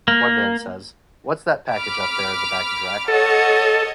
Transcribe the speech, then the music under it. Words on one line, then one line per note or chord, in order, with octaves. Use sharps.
One man says, What's that package up there in the baggage rack?
A#3
B5 D6 F6
A4 C#5 D#5 F#5